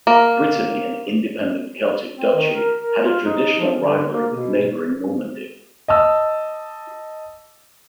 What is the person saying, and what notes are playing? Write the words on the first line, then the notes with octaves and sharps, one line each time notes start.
Brittany, an independent Celtic duchy, had a traditional rivalry with neighboring Normandy.
A#3
C4
D#3
A#4
A#4
F4
D#4
D#4
F3
D3
A#3
B2
D#5 A5 E6